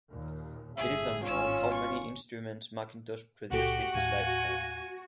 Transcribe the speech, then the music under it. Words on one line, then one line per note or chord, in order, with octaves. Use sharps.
It is unknown how many instruments Mackintosh produced in his lifetime.
D#2 A#2
G1 A2 G#4 E5
G#1 C#4 F4 C#5 E6
C#6
C#2 A#2 F#4 G4 A4 F#5
D#2 A2 F5 G#5